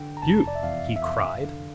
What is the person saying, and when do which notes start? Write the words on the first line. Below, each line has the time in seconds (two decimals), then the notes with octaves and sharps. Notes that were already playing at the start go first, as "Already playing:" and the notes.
"You?" he cried.
Already playing: D3 G5
0.17 A#5
0.22 F1 A5
0.47 D5
0.55 E5
0.63 E2 F5
0.96 E5
1.03 F1 F5
1.44 D3